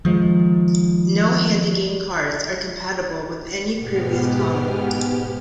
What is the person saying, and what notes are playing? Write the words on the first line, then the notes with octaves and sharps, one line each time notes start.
No HandyGame carts are compatible with any previous model.
D#3 F3 G#3
G#2 B2 G#3 B3 G4 F6